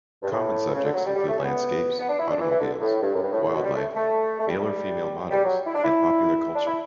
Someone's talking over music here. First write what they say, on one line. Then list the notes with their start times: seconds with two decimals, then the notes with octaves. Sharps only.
Common subjects include landscapes, automobiles, wildlife, male or female models, and popular culture.
0.22 G2
0.32 A2
0.74 C#3
0.84 D3
0.94 F#3
1.05 G3
1.15 G3
1.29 A3
1.38 C#4
1.43 B3
1.98 B3
2.08 D4
2.19 E4
2.30 D4
2.39 E3
2.50 E3
2.60 D3
2.81 A2
3.02 G2
3.14 F#2
3.22 G2
3.33 A2
3.43 A2
3.54 B2
3.64 G3
3.75 A3
3.95 A3
4.39 A3
4.47 G3
5.31 G3
5.44 F#3
5.66 E4
5.75 D4
5.84 E4
6.55 D4
6.67 E4